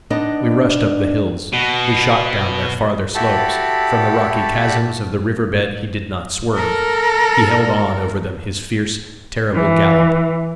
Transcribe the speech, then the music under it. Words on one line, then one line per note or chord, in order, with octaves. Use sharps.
We rushed up the hills, we shot down their farther slopes; from the rocky chasms of the river-bed he did not swerve; he held on over them his fierce, terrible gallop.
B3 D4 D#4 D#5
B2
E4 F#4 G4 A4 A5 B5
A4 A#4
E3